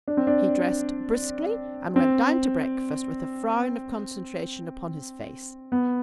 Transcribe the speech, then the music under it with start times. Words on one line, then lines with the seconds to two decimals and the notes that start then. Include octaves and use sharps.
He dressed briskly and went down to breakfast with a frown of concentration upon his face.
0.08 D4
0.17 C4
0.27 D4
1.96 C4
5.72 B3